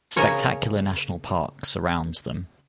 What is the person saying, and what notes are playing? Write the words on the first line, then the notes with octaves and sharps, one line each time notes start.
Spectacular National Parks surrounds them.
C#3 C#4 A#4 C#5